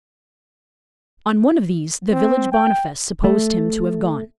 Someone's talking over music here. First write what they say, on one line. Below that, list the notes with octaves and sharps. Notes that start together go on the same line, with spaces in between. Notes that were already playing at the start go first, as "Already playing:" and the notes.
On one of these the village Boniface supposed him to have gone.
C4
G5
A3